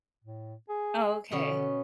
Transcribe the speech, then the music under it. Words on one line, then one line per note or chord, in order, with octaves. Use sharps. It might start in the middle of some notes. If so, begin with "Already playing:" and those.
Oh, okay.
A2
G#4
B2 D3 B3 C#4